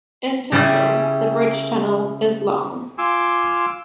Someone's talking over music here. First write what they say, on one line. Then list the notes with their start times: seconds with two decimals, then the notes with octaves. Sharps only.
In total, the bridge-tunnel is long.
0.52 C#3 G3 C#4 E4 G#4
2.98 F4 G#5 C6 D6 E6